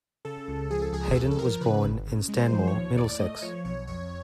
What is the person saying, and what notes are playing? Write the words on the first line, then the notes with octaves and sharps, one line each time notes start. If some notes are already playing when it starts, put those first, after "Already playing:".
Hayden was born in Stanmore, Middlesex.
C#3 A4
C#2
F3 G#4
A4
C#2 G#4
F2 A4
A4
F3 A#4
C#3 B4
G1
C#3
G#3
C5
F3
C#5
D#2
A2 D5
A3 D#5
F3 C#5
B1 C#5
F2 C#5